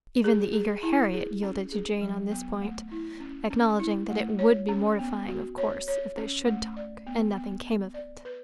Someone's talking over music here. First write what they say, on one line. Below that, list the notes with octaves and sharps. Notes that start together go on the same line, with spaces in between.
Even the eager Harriet yielded to Jane on this point, acknowledging that it WOULD be mortifying, of course, if they SHOULD talk, and nothing came of it.
G#4
G#4
E4
G#4
C#4
G#4
F#3
B3
A3
E4
C#4
C#4
E4
A3
C#5
C#4
B3
F#4
C#5
C#5
C#4
A3
D5
B3
B3
B3
D5
B4